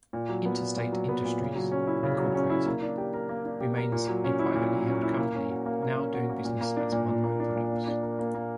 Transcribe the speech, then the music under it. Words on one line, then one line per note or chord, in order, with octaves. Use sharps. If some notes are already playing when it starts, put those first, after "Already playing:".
Interstate Industries, Incorporated remains a privately held company, now doing business as Monroe Products.
A#2
F#3
B3
A#2
A#2
F#3
B3
A#2
C#3
F#3
C#4
E4
C#3
F#3
C#4
E4
A#3
D4
G4
A#4
A#3
D4
G4
A#4
A#2
F#3
C#4
E4
A#2
F#3
C#4
E4
A#3
C#4
F#4
A#3
A#3
C#4
F#4
A#3
A#2
A#3
D4
A#2
A#2
A#3
D4
A#2
A#3
D4
A#4
A#3
A#3